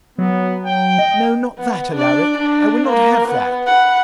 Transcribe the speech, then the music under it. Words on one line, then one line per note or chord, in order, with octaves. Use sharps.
'No, not that, Alaric; I would not have that.
F#3 B3
G5
D#5
B3
D4 D5
D4
A#3
B3
F#5 B5